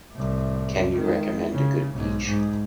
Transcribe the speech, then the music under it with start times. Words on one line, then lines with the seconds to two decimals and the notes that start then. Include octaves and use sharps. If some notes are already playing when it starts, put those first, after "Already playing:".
Can you recommend a good beach?
0.12 C2 A2
0.94 D#3 G#3
1.51 C#3
1.91 B1 G#2
2.23 G#2